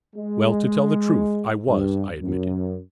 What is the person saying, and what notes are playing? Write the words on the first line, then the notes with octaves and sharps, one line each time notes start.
"Well, to tell the truth, I was," I admitted.
G#3
G2
F#2